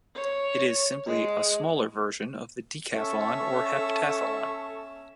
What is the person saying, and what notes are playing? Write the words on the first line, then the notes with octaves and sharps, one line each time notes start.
It is simply a smaller version of the decathlon or a heptathlon.
C#5
G#3
C#4 A4 E5 C#6